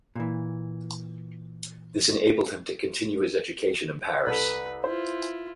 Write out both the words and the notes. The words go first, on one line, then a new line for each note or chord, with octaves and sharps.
This enabled him to continue his education in Paris.
A#2 E3
C2 A4 B4 B5
E4 F4 C5